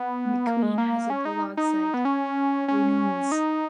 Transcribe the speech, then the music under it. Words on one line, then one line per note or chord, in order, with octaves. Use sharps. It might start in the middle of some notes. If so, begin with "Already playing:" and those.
McQueen has a blog site 'renewnz.
Already playing: B3
A#3
G#3
A#3
C#4
D#4
D#4
B3
C#4
C#4
D#4